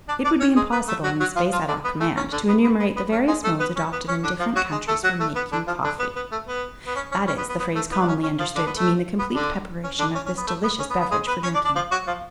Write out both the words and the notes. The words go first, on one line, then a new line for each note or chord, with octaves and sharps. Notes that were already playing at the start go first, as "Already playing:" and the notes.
It would be impossible, in the space at our command, to enumerate the various modes adopted in different countries for "making coffee;" that is, the phrase commonly understood to mean the complete preparation of this delicious beverage for drinking.
D4 D5
D4 D5
C#4 C#5
G#3 G#4
B3 B4
A3 A4
F#3 F#4
F#3 F#4
F3 F4
F3 F4
D3 D4
B3
A3
C#4
D3 D4
B3
B3
B3
B3
C#4
G#3 G#4
A3 A4
B3 B4
C#4
B3
C#4
D3 D4
F3 F4
F#3 F#4
G#3 G#4
A3 A4
F#3 F#4
A3
B3
D3 D4
F3 F4
D3 D4
B3
B3
A3
B3
B3
C#4
C#4
C#4
B3
B3
B3
A3
B3
D4
C#4
C#4
F3 F4
D3 D4
B3
A3
B3
D3 D4
C#4
D3 D4
C#4
C#4
B3
A3
B3
C#4
B3
B3
G#3 G#4
B3 B4
C#4 C#5
D4 D5
D4 D5
F3 F4
F#3 F#4
F3 F4